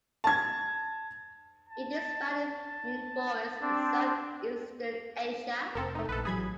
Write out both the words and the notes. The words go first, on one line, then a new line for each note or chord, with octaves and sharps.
It is found in forests in south-eastern Asia.
A5 G#6
A5
C4 D4
F1 C4 A4 A#4
A3 D#4
A#1 A4 B4
A1 F#3 G#4 B5 G#6